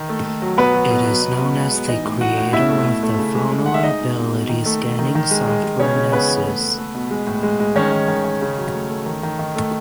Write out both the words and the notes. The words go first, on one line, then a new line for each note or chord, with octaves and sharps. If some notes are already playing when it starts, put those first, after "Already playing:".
It is known as the creator of the vulnerability scanning software Nessus.
Already playing: D#3
A3
A3
F#3
B2 B3 B4
F#3
B2
F#3
B2
B2
G#3
B2
E3 D#4 D#5
A2
A2 F#4 F#5
A2
B2 E4 E5
A3
A3
A3
C#3
G#3
G#3
G#3 F#5
E5
G#3 D#4 D#5
B2
B2
B2
D#3
A3
A3
D#3
D#3
G#3
G#3
G#3
C#3 C#4 C#5
C#3
C#3 B3 B4
E3
A3
A3
A3
B2
G#3
A2
G#3
G#3
D#3 C#4 C#5
D#3
D#3
D#3
C#3
F#3
A3
A3
D#3
D#3
D#3
A3